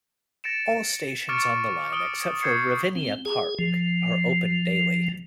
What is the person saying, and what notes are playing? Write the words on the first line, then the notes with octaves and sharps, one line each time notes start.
All stations on the line except for Ravinia Park are open daily.
A6 A#6 C#7 D7 E7
C#6 D6 F6 A6 C#7 D7
D#6 F6 D7 G7
C#6 G6 G#6 C7 C#7
C4
G#4
F3